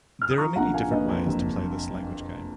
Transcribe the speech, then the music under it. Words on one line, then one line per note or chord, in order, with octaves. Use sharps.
There are many different ways to play this language game.
F6
D#6
F3 A#5 C#6
A#1 F#5 A#5
A#3 F5 G#5
A#1 B4 D#5
F2
F#1